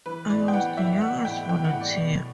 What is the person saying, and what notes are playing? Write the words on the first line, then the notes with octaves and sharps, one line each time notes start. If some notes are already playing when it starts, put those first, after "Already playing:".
I was the youngest volunteer.
E3 B4
A2 D5
G5
E3 F#5
A2 E5
E3 F#5
A2 G5
E3 G5
F#5
A2
D5
B2